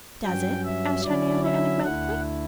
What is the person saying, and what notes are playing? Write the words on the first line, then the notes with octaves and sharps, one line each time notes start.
"Does it?" asked Henriette, enigmatically.
G2 F#3 C#4 G5
E5
D3 F#3 C#4 E4 D5
E5
D2 D3 A3 E4 F#5